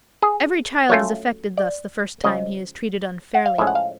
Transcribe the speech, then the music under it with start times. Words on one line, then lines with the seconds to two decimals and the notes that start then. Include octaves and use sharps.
Every child is affected thus the first time he is treated unfairly.
0.22 G#4
0.89 F#3 A3 C#4 F4 C#5
1.57 D5
2.24 C#3 F3 G#3 D#5
3.34 F#5
3.46 F5
3.58 A2 F3 G#3 C#4 E5
3.67 F#5
3.75 F5